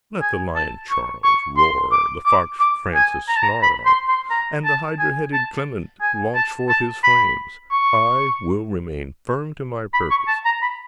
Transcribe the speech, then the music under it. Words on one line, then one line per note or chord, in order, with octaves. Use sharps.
Let the lion Charles roar, the fox Francis snarl, and the hydra-headed Clement launch forth his flames, I will remain firm to my purpose.
G#5
A5
C#6
C#6
C6
D6
D6
D6
G#5
A#5
A5
A#5
B5
C6
C6
A#5
A5
G#5
A5
G#5
A5
A5
B5
C#6
B5
C#6
A5
A#5
B5